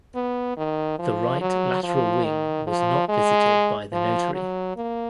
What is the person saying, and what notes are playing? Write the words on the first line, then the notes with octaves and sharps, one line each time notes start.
The right lateral wing was not visited by the notary.
B3
D#3
F3
F#3
F3
D#3
F3
G#3
F3
F#3
A#3